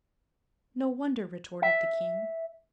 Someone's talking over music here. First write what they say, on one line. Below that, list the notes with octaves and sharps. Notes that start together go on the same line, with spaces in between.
"No wonder!" retorted the king.
E5